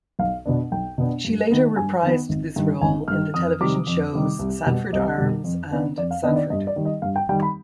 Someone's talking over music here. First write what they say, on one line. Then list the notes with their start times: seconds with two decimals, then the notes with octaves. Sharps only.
She later reprised this role in the television shows "Sanford Arms" and "Sanford".
0.19 B1 F5
0.46 B2 B3 D4
0.72 B1 G5
0.98 B2 B3 D4
1.25 G2
1.51 D#3 B3
1.76 G2 G#5
2.03 D#3 B3
2.29 G#1
2.56 G2 D#3
2.81 G#1 G#5
3.08 G2 D#3 F6
3.34 F2 D#6
3.61 C3 D#3 G3 D6
3.87 F2
4.13 C3 D#3 G3
4.39 C2
4.66 B2 G3
4.93 C2 D#5
5.18 B2 G3
5.44 F2
5.71 D#3 B3 D4
5.98 F2 D5
6.11 F5
6.23 D#3 B3 D4 D#5
6.36 D5
6.50 G2 D#5
6.67 D5
6.76 D#3 G3
6.85 D#5
7.02 G2 F5
7.16 G5
7.29 D#3 G3 G5
7.42 B5